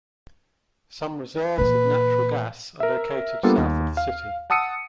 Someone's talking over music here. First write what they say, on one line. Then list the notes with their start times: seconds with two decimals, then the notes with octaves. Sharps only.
Some reserves of natural gas are located south of the city.
1.58 A#2 E3 B4
2.80 A#4 E5
3.43 G3 A#3 B3 D4 F4 A4
3.58 D#2
3.97 F5
4.50 F#5 A5 D#6 E6 C#7 D#7